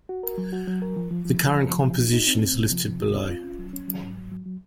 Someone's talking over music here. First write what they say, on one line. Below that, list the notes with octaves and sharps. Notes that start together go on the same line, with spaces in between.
The current composition is listed below.
F#4
A#4
F#3
F#4
F#3
A#4
F3
F3
F3
F3
F3
F3
F3
D#4
D#4
C4
C4
C3
F3
C3
D#4
C4
F4
C#4
F#3
C#4
F#3
G#2
F#3
F#3
F#3